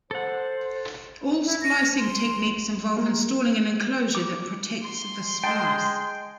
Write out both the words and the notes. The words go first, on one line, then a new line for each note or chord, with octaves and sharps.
All splicing techniques involve installing an enclosure that protects the splice.
A4 C5 F#5
E4
A#6
C6
A#3
D6
C6
G#3 G5 A5